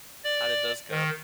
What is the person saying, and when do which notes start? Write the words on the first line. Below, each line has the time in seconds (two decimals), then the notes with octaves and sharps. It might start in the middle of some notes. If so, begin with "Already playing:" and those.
How did those go?
0.24 D5
0.90 D#3